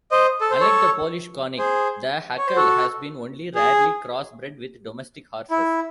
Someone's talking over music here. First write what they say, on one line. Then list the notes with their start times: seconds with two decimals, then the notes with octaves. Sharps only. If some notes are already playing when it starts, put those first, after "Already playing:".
Unlike the Polish Konik, the Hucul has been only rarely cross-bred with domestic horses.
0.11 C5 D#5
0.41 A4
0.51 C5
0.60 A4 C#5
1.58 G#4 C5
2.37 C#5
2.47 C5
2.56 F#4 A4
3.55 G#4
5.51 E4